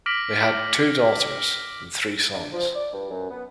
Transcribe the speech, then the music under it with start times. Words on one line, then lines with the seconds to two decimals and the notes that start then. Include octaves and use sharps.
They had two daughters and three sons.
0.06 D6 F6 A#6 B6 D7 F#7
2.35 D4
2.53 F3
2.75 D5
2.93 G2
3.10 F#2
3.30 B3